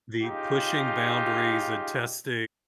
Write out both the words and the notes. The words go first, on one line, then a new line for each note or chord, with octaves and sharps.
the pushing boundaries and testing,
C#3 D#4 F4 G4